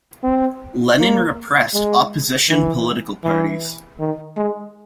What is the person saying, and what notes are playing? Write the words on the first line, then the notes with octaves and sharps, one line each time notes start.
Lenin repressed opposition political parties.
C4
A#3
G#3
E3
E3
D#3
G#3